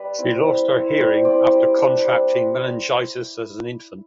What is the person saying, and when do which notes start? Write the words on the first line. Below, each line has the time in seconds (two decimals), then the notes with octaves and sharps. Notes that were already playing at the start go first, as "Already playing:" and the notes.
She lost her hearing after contracting meningitis as an infant.
Already playing: G3 B4 D5
0.18 C4 E4
0.45 G3
0.71 C4 E4
0.98 G3 C5
1.24 C4 E4 D5
1.52 G3
1.78 D4
2.05 G3